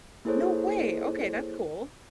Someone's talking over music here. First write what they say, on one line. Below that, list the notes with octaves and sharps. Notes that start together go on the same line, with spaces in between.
No way, okay, that's cool.
A#3 E4 G#4 A4 C5 C#5